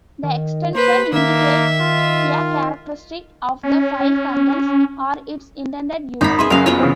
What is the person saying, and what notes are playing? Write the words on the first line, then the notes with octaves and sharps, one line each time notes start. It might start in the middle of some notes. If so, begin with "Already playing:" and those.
The extension indicates a characteristic of the file contents or its intended use.
D#3
A#3 B4 C5
D#3 A#3 E5
F4
C#4
G#1 D#4 A#4 B5
G#4 B4 E5 C6
F#1 F#2 A#4 F5
B3 F4 C#5
C#3 E3 C4